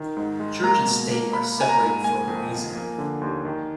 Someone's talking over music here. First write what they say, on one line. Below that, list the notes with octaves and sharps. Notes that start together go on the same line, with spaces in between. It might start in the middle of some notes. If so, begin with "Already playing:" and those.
Church and state are separated for a reason.
Already playing: D#3
G#2
G#3
A#3 A#5
B2
A#3
A#3 B5
A#3 G#5
A#5
G#2
A#3 G#5
F2
F3
A#3
D3
D#2
D#3